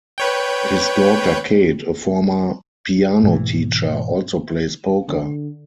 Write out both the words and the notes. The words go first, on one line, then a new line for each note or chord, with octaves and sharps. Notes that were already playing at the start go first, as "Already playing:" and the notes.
His daughter Kate, a former piano teacher, also plays poker.
B4 C#5 G5
G#2 B2 E3
D3